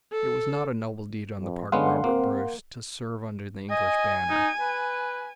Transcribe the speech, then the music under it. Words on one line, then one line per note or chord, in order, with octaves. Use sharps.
It was not a noble deed on the part of Robert Bruce to serve under the English banner.
A4
F2
D3 G#3 B3 C#4 F5 F#5 C6
A#3 C4 A#4
D#5 G#5
D#4
B4